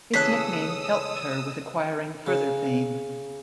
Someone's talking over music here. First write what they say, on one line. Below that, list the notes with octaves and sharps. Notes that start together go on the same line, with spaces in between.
This nickname helped her with acquiring further fame.
E2 C#3 G#4 A4 D#6 E6 F#6 B6
C#3